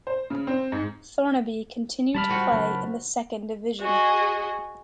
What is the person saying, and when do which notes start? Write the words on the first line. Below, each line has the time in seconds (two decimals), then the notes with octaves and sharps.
Thornaby continue to play in the second division.
0.07 C5
0.30 C#3
0.47 C4
0.72 G#2
2.15 G3 A5 B5 F6
2.29 C4 F4 F#4
2.52 C#3 F#3 A#3
3.80 F#4 G#4 D#5